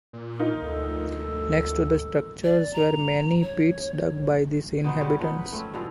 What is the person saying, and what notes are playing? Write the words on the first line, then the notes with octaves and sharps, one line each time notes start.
Next to the structures were many pits dug by these inhabitants.
A#2
D#4 F4 A#4
D2 A4
D5
A#5
C#5
B2 B3 D#4 C5
C#3 G3 C#4 F#4
F3 B3 D#4
B4
A3 C4 C#4
G2 B2 E3 F3